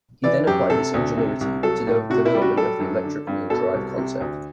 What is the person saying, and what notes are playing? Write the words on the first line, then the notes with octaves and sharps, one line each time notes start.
He then applied his ingenuity to the development of the electric wheel drive concept.
E3 D5
F#2 G4
C3 A4
D2
C3
C2
F#3 A4
A2
C3 F#4
E4
G3
F#4
F#3 A4
F#2
D3
G2
B2 A4
C2
C3
D2